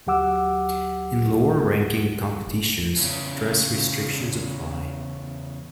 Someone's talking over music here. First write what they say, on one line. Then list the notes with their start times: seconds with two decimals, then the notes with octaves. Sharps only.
In lower ranking competitions dress restrictions apply.
0.07 D2 F#3 G4 F#5 D6 E6
2.97 E2 C#3